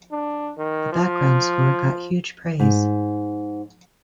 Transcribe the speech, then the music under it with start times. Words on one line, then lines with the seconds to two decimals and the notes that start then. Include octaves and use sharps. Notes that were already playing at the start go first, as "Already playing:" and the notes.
The background score got huge praise.
0.12 D4
0.57 D#3
0.93 F3
2.60 G#2